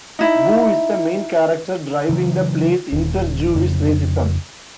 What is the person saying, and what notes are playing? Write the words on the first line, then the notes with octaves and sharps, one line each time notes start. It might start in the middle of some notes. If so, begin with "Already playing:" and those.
Boo is the main character driving the play's inter-Jewish racism.
D#4 E4
C#3 E3 F#3
D#1
F2 C#3